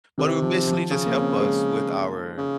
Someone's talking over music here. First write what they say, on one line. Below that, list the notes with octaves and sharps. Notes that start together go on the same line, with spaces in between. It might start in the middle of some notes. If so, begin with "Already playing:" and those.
But it would basically just help us with our
C3 D#3
F3
F3
C#3 C#4
A#3
C4
G#3
C#3